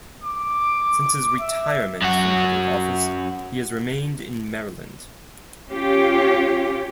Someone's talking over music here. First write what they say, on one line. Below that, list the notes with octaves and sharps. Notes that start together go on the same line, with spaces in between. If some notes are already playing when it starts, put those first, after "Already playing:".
Since his retirement from public office, he has remained in Maryland.
D6
E5
F#2 F#4
C#4 F4 G4 C#5